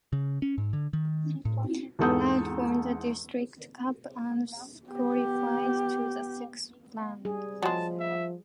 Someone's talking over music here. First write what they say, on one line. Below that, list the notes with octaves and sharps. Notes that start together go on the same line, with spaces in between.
Arad won the district cup and qualified to the sixth round.
C#3
C#4
G#2
D3
D#3
A2
E2 G#2 A4 D#6 G6
B3 G4
G3 G#4
F3 F#3 G#3 A5
E5